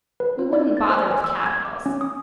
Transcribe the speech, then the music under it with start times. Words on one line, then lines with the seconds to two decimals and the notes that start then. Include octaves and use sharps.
"We wouldn't bother with capitals."
0.20 B4
0.39 F4
0.53 D5
0.77 A6
0.90 C5
1.11 G#5
1.24 E6
1.46 G#6
1.65 D6
1.86 C#4
2.01 D#6